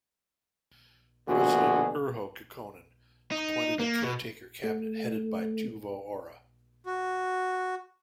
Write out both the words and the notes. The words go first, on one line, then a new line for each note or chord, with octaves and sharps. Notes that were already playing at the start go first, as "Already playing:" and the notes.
President Urho Kekkonen appointed a caretaker cabinet headed by Teuvo Aura.
A#1 B2 D3 F#4 G#4
D#4
A#3
B2
A3
F#4